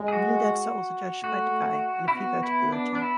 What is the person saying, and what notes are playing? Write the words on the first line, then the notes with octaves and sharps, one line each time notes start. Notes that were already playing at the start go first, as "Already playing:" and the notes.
Newly dead souls are judged by Degei, and a few go to Burotu.
Already playing: G#3
G#4
F#4
A3 F#4
E4
B3 F#4
E4
D4
D4
E4